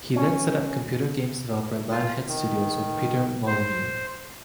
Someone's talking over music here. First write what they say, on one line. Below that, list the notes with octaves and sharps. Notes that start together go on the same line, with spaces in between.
He then set up computer games developer Lionhead Studios with Peter Molyneux.
C#4
F4
D#3
C5